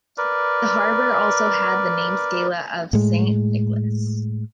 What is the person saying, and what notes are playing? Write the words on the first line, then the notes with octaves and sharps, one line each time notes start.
The harbour also had the name Skala of Saint Nicholas.
A#4 B4 D5
A2 G#3